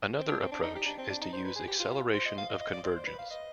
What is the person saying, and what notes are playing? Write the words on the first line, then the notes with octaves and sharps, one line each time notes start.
Another approach is to use acceleration of convergence.
C4
D4
C4
D4
D#4
G4
D4
C4
D4
D#4
C5
B4
G#4
G4
F4
F4
C5
D#5
F5
D#5
D#5
D5
C5
C5
B4
F5
D#5